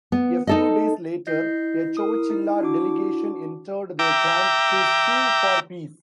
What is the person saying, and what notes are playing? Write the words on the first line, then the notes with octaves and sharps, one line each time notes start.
A few days later, a Chowchilla delegation entered their camp to sue for peace.
B3
D#4 A4 D#5
E4 D#5 G6 C7
A#4 D#6
D#4
D4 F#4 D6
E5 G5 A#5 D6